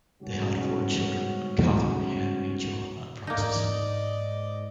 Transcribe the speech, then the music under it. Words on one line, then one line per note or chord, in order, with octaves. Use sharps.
They had four children; Catherine, Henry, John, and Francess.
G#2 C#3 G3 B3 C#4 F#4
G#2 A#3 D#4 D5 D#5